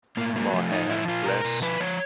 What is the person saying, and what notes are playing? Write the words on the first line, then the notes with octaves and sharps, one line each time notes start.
More hair, less...
A2 A#3
F#3 A#3
F3 A3
A2 D#4
F3 E4
A#2 F4
B2 A#4
B2
F3 B4
F3 C#5